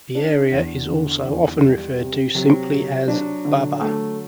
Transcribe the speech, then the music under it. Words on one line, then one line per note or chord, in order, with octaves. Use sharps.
The area is also often referred to simply as "Baba".
D4
E2
D3
E2
G3
C3
C3 F#3
C3
F#3 D4
D3
A3